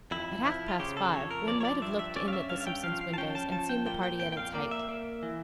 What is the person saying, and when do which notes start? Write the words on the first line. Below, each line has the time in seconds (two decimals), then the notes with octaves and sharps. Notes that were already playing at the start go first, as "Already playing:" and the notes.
At half past five one might have looked in at the Simpsons' windows, and seen the party at its height.
0.11 F2 E4
0.45 F3 E4
0.68 F4
0.79 C#3 G4
0.97 A4
1.13 F2 C#5
1.31 A#4
1.47 F3 D5
1.61 C#5
1.65 D5
1.82 G2 E5
1.99 E5
2.16 C#4 D5
2.28 F5
2.33 E5
2.49 G2 F5
2.61 F5
2.67 G5
2.84 F3 F5
3.01 F5
3.14 A5
3.18 C#4 G5
3.35 A5
3.52 F3 A5
3.69 G5
3.86 A#2 G5
4.03 G5
4.20 F2 G5
4.32 G5
4.37 F5
4.54 A#3 D5
4.71 E5
4.89 A#3
5.23 E3